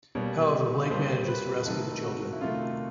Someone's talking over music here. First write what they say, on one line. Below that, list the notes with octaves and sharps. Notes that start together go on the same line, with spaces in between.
However, Blake manages to rescue the children.
B2 G3 A#3 C#5
B2 G3 A#3 C5
B4
C3 D#3 F#3 A3 A4
F#4
E4
C3 D#3 F#3 A3 F4